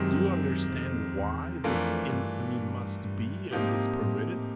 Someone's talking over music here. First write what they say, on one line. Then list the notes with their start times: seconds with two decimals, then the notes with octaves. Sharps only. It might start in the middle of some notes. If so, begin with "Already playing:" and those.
Do you understand why this infamy must be and is permitted?
Already playing: F#2 C3 D#3 G#3
0.71 F2
1.17 E2
1.64 F2 E3 A3 D4 F4 A#4
2.11 G2
2.58 G2
3.04 G2
3.51 G#2 C3 F3 A#3 D#4 G4
3.98 A2